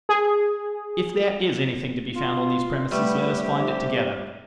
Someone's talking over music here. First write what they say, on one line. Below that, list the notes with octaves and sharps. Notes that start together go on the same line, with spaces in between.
'If there IS anything to be found on these premises, let us find it together.
G#4
F4
G3 A3 B3 G4
C3